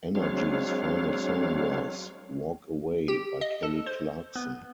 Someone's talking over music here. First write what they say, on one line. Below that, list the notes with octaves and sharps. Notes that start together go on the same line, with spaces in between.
Energy's final song was "Walk Away" by Kelly Clarkson.
F#3 G#3 C4 D4 C#5 F5
G4
D#5
A4
C5
B3